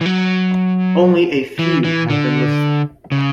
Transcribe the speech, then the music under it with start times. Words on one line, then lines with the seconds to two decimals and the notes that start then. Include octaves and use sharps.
Only a few have been listed.
0.01 E3
0.06 F#3
1.59 E3
1.84 E3
2.10 D3
3.12 C#3